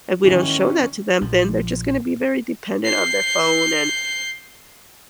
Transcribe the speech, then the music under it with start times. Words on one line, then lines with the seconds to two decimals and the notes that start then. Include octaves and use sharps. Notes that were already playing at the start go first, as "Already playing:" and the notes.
if we don't show that to them, then they're just gonna be very dependent on their phone, and
0.24 G#2 D#3 E3 C#4
1.21 A#1 F3
2.85 G6 C7